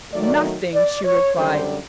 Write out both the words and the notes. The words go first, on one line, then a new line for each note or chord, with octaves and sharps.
"Nothing!" she replied.
D#3 F#3 A3 D5
D5
C#5
F#2 D3 G3 C5